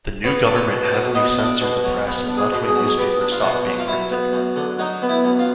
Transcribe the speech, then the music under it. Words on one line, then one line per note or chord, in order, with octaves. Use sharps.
The new government heavily censored the press and left-wing newspapers stopped being printed.
B3 C#5
D4 D5
C#5
B2
D5
F#3
B3 D#5
D4 D#5
D5
B2
F#3
B3
D4
G#4
B2
G#4
F#3
G#4
B3 G4
D4
F4
B2 F#4
F#3
F4
F#3 E4
B3
F#2
D3
F#3 D#4
B3
E4
F#2
F4